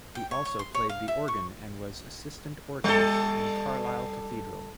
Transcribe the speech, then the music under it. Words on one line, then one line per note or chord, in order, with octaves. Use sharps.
He also played the organ and was assistant organist in Carlisle Cathedral.
G5
C#5
C#5
C6
C#5
F5
E5
C#6
G3 A4